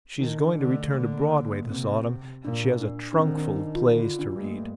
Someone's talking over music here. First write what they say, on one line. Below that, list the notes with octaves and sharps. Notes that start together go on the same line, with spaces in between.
She is going to return to Broadway this autumn, and she has a trunkful of plays to read.
D#3 D#4
D4
D3
A3
D3 A#3
A#3
A#3
A#3
C3 C4
A#2 D4
D4
D4
D#3 C4
D4
D#4
F4
D3 F4
D4
G2
A3
A#3